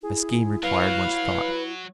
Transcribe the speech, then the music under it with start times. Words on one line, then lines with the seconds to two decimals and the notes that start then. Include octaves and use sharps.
My scheme required much thought.
0.03 E4 G#4
0.63 F#3 B4 F5